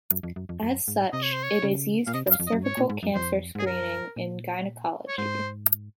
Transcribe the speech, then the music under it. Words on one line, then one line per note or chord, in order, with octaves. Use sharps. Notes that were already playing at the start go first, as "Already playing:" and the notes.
As such, it is used for cervical cancer screening in gynecology.
F#2
F2
F#2
F2
F#2
G#2
C3 D#5
C#5
C5
C#5
C#3
A#2 F5
C3 D#5
F#2
F5
F2
D#5
F#2
G#2 C#5
A#2
G#2
F#2
F2 C5
G#2 G#4
F#2 A#4
A#2
C#5
G#2 C5